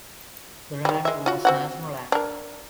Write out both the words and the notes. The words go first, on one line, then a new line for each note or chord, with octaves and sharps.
The remainder was national land.
D#3 G3
G#3 E5
F4 F#4
C4 F#4 F#5
D4 A#4